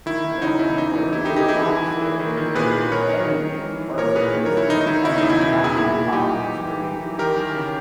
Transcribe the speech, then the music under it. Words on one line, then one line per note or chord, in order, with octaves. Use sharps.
No, of course, they're doing the opposite, and they're making everything worse, I mean, this is gonna be hard to come back from, the problem he's creating now, like
D#3 E4
D#3
C#3 D#4
E2 E4
E3 D#4
E3
E3 E4
D#4 G4
E3
D#4 G4
E3 E4 G#4
E3
E3
E3
D#3
D#3
A#2 G#4 B4
A#2
D#3 A#4 C#5
D#3
D#3
D#3
E3
E3
A#2 A#4 C#5
A#2 G#4 B4
D#3
A#4 C#5
D#3
E4
D#3 D#4
D#4
D#3 E4
C#3 E4
D#4
E2
E4
B2 E4
E4
B2
E4 G#4
A#2 E4 G#4
A#2
A#2 D#4 G4
A#2
E3
E3
E3
E3
D#3 G4 A#4
D#3
C#3